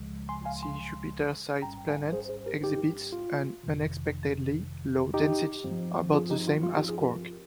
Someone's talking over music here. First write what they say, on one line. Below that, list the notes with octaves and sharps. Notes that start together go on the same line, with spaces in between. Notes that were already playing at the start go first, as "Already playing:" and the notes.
The Jupiter-sized planet exhibits an unexpectedly low density, about the same as cork.
Already playing: C#2 C#3 F3 G#3
G#5 C6
F5 G#5
G#5 C6
G#1 G#2 G3 C#4 G5 A#5
F5 G#5
G#4 C5
G#4 C5
G4 A#4
D#4 G4
F4
G1 F2 C3 D#3
D#4 G4
G2 F3 C4
F4 G#4
D#4 G4
F4
F4
D#4 G4
F4 G#4
G4 A#4
F4